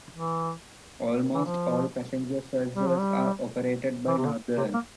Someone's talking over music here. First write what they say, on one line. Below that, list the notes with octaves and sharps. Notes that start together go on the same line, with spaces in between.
Almost all passenger services are operated by Northern.
E3
E3
F3
G3
F3
G3
E3
C3
D3
C3
A#3